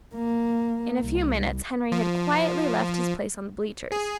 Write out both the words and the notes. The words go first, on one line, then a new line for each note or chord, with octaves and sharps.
In a few minutes Henry had quietly left his place on the bleachers.
A#3
C2
F3
G#4